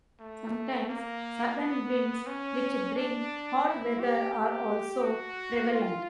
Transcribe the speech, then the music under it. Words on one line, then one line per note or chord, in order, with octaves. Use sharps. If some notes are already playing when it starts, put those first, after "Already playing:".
Sometimes southern winds which bring hot weather are also prevalent.
A3
A#3
B3
C#4
D4
E4
G4
G4
F#4
F4